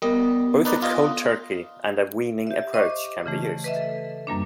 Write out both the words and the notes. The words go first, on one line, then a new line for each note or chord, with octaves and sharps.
Both a "cold turkey" and a "weaning" approach can be used.
G3 B3 A#4 D#5
D#4 B4 D5
F4 D#5
G4 E5
C5 D#5 C#6 D6
C#3 E3 A3
B4 D#5 E5
A4
F#2 G3 A#3 D4